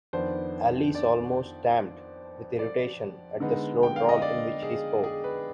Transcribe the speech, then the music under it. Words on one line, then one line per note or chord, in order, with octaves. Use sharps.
Alice almost stamped with irritation at the slow drawl in which he spoke.
F2 D#3 B3 D4 C5
D5
D5
D3 G#3 B3 D#4
G5
F5
D#5
D5
G#4
G#4
B4